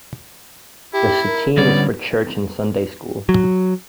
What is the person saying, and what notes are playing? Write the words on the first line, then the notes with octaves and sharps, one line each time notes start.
The sateen is for church and Sunday school.
E4 G4
A#4
D3 G3 B3 C#4 D5
F#3